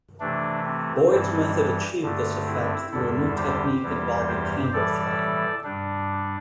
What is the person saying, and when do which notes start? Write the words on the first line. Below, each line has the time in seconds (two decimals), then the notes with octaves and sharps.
Boyd's method achieved this effect through a new technique involving candle flame.
0.20 C3 E3 A3 D4
0.66 C4
1.10 G2 E3 G3 C4
2.02 G2 D3 A3
2.46 C4 E4
2.92 E2 D3 G3 E4 A4
3.37 G4 C5
3.82 E2 E3 G3
4.27 G4 C5
4.73 A2 E3 G3 A4 D5
5.64 G2 G3 D4